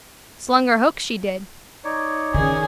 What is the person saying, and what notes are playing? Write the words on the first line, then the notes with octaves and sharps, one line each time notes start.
Slung her hook, she did.
D#4 C#5 D5
D#3 C#4 G#4